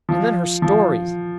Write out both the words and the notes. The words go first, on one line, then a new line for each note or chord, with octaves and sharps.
And then her stories!
F3
F3